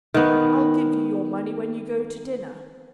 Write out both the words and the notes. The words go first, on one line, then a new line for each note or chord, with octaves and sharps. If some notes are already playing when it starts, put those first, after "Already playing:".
I'll give you your money when you go to dinner.
D#3 B3